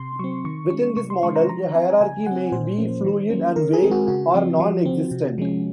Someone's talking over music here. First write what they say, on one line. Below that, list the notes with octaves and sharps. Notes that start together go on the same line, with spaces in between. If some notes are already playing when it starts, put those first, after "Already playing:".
Within this model, a hierarchy may be fluid and vague, or nonexistent.
Already playing: C3 C6
F#3 C4 C#6
D#3 C#6
G#3 C#4 C#6
C3 C#6
C6
D#3 G#3 C#4 C#6
A#5
F3 A#5
C4 G#5
C#3 G#5
F#3 C4 F#5
A#2 C5
F3 A#3 C#4
D#3
F#3 A#3 C#4
D#3 A#4
G#4
G#3 C4
F#4
C#3 F#4
F3 C4
F3
C4
C3
F3 G#3 C#4